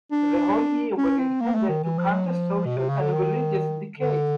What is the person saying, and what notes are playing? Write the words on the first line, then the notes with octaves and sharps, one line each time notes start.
The Holy year was intended to counter social and religious decay.
D4
C#4
C4
A#3
A3
D#3
E3
F3
F#3
F3
B2
C3
C#3
D3
D#3
D3